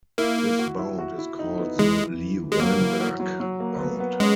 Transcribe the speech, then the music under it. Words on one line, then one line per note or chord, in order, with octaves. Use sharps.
This bound is called the Lee-Weinberg bound.
A#3 E4
E4
F#4
E4
F#4
E4
D#4
B3
E3 G#3
G#3
F#3 A#3
E3
F#3
F#3
F#3
A#3
B3
B3
G#3 C#4